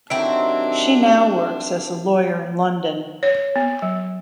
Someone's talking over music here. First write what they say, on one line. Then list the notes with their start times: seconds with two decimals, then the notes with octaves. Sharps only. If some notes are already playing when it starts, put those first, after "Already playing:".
She now works as a lawyer in London.
0.10 C3 D#3 F#3 C4 D4 E4 E5 D7
3.23 C#5
3.56 B3
3.82 F#3